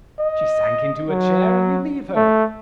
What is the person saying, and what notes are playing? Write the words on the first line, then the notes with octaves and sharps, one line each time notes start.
She sank into a chair and you leave her.
D#5
F#3
A3